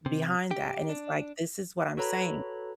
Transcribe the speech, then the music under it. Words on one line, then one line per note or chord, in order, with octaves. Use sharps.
behind that. And it's like, this is what I'm saying.
C3
G4
D4
F#4 A4 B4 C#5 A#5 B5